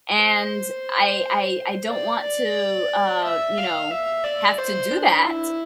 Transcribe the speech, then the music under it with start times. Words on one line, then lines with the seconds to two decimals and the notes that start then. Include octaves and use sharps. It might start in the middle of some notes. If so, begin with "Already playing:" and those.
and I I I don't want to, uh, you know, have to do that,
0.23 C5
1.90 D5
2.23 D5
3.24 E5
3.57 F5
3.91 E5
4.24 D5
4.58 C5
4.91 D4
5.24 E4